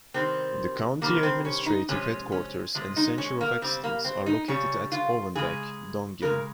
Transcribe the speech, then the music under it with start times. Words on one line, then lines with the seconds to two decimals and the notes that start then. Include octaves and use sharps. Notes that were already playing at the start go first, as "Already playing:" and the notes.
The county administrative headquarters and centre of excellence are located at Owenbeg, Dungiven.
0.14 C3 D#3 G3 C4
1.02 C3 D#3 G3 A#3
1.23 C4
1.45 C#4
1.66 D#4
1.89 C3 F3 G#3 C#4
2.32 C#4
2.75 C3 F3 G#3
2.96 D#4
3.18 C#4
3.41 A#3
3.61 C#3 G3 C4
3.84 A#3
4.05 C4
4.26 D#4
4.48 C#3 G3 C#4
4.92 F4
5.35 C#3 G#3 G#4
6.22 C#3 G#3 A#4